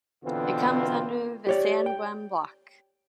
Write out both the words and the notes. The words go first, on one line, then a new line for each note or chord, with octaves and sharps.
It comes under the Sanguem block.
E2 B2 D3 B3 C4 F4
G4 C#5 D5
G5